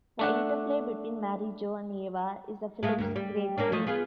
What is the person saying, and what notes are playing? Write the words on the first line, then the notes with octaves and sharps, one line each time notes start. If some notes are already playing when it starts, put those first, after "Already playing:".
The interplay between Mary Jo and Ava is the film's great treat.
A3 D4 F#5
G#3 A3 F4
D2 G2 A#3
G3
A#3 C#4 D4
F3 A3 D#5
B3 F4 G#4